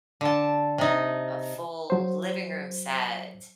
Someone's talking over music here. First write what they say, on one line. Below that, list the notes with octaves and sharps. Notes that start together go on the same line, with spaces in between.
a full living room set,
D3 A5
C3 D#4
F#3 C5